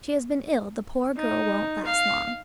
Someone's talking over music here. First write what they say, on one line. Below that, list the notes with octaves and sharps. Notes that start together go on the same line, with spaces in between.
"She has been ill; the poor girl won't last long."
D#4
F5